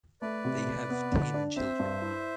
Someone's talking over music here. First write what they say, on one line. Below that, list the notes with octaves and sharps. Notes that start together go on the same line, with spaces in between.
They have ten children.
A3 B4 D5
C3
C3
B3
D3
D4
C4 C5 E5
G2
E4